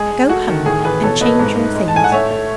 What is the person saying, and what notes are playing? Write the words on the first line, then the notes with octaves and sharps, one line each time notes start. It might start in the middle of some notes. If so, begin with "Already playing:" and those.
Go home and change your things.
Already playing: G#3 G#4
G#3
A3 F#4
D#3
A2 G#4
E3 G#4 B4
B2 A4 C#5
A3 B4 D#5
G#2
D#4
G#3
A5
A2 G#5
F#5
A3 C#5 E5
A3